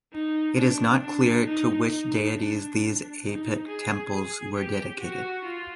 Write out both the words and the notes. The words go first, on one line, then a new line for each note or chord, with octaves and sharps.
It is not clear to which deities these Apit temples were dedicated.
D#4
D4
D4
D#4
D#4
D4
D#4
G#4
G#4
G4
F#4
F4